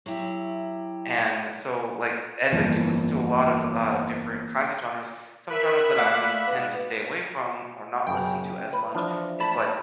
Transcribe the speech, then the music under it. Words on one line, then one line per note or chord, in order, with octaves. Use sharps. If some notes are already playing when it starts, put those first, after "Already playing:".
And so, like, as I do listen to a lot of, uh, different kinds of genres, some genres that I may tend to stay away from or not listen to as much is, like,
F#3 E4 G4
G1 F2 E3 A#3
A#4 E5 B5 F#6
A3 D5 F5 F#5
G#2 B3 B4
F#2 C#3 G5
B4
E3 F3 D4
A5 B5